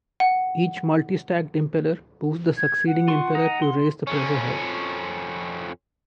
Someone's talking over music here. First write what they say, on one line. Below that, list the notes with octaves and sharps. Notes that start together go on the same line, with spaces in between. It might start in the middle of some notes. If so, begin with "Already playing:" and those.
Each multi stacked impeller boosts the succeeding impeller to raise the pressure head.
F#5
G#6
F#5
F4 C6 C#6
D#4 A#5 D#6
C6
F2 C#4